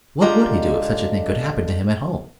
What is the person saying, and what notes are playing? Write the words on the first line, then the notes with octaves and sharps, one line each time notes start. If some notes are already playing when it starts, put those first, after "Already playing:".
What would he do if such a thing could happen to him at home?
D3 G#3 F4 G4 D#5 A#5